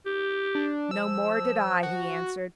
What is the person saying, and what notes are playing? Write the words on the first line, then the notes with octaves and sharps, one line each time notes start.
"No more did I," he answered.
G4
D4
F3 E6
F#4